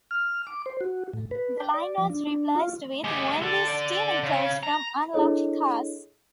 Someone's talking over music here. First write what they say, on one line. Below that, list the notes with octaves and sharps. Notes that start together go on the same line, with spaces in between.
The line was replaced with: "Wendy's stealing clothes from unlocked cars".
F6
D6
C5
F#4
A2
B4
G5
D5
F3
D4
D4
F4
G#3 G4
D3 A4
D3 D5
C#3
A#5
D4 E4 G#4 A4 C#5 D#5